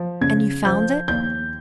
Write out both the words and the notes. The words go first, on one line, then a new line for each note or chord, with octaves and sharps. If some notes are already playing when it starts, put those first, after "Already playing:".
"And you found it?"
Already playing: F3
C#3 G#6
F3 G6
D#2 G6